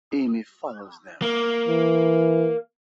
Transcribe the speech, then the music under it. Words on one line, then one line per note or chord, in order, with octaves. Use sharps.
Amy follows them.
A#3
E3